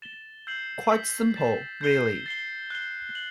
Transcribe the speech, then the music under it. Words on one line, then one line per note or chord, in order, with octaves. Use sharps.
Quite simple, really.
A6 E7 G7
E6 G6 C7 F#7
G6 B6 F#7
A6 C7 E7
G6 C7 G7
A6 C7 G7
F#6 C7 G7
F#7